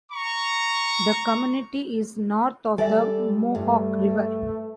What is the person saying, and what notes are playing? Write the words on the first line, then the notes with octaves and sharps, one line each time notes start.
The community is north of the Mohawk River.
A#5 C#6
G3 A4 D5 E5 G#5
G2 A3